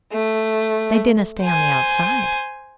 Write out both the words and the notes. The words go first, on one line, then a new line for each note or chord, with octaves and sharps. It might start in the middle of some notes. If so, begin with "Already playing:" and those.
They dinna stay on the outside.
A3
C5 G#5